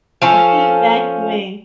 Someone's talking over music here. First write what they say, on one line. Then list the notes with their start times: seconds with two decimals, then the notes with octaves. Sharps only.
I hate vacuuming.
0.22 F3 C#4 A4